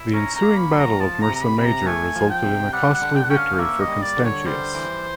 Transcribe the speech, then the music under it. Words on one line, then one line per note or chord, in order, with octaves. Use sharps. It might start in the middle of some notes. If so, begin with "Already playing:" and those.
The ensuing Battle of Mursa Major resulted in a costly victory for Constantius.
Already playing: E4
C#4 A#5
A#5
A#3
B5
F#3
A#5
F3 A5
A#5
C3
A#5
B5
C3 B5
A#5
A3 G#5
F3
G5
C3
G3 F#5
F#5
D3
G5
F#5
C#4 G5
F5
A#3 E5
D#5
G3
D5
D3
C#5
G3 C5
E3